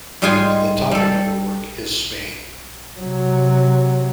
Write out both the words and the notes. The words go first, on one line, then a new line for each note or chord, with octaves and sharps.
The topic of the work is Spain.
G#2 G3 G#3 F4 G#4 G#5
G3 A4
C3 F#3